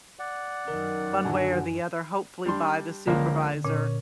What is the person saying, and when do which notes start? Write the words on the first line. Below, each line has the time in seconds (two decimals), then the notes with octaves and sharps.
one way or the other, hopefully by the supervisor.
0.19 D5 F#5
0.68 F#2 D#3 A#4
1.25 D3 F#3 G#5
2.46 G3 D4 C6
3.07 C#2 D3 F3 A#3
3.65 A#2 C#4